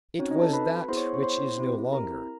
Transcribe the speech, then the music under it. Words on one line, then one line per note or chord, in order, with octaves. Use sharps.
It was that which is no longer.
C4 C#4 D#4 F#4 C#5
D#4 D#5
A4 A5
B4 B5
B3 E4 G#4 C5 C6
C#5 C#6
C#5 C#6
C5 C6
C4 E4 G4
A#4 A#5